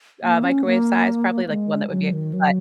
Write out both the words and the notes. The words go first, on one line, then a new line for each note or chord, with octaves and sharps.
uh, microwave size, probably, like, the one that would be a cut
A#3
C#4
A#3
G#3
F#3
D#3
F#3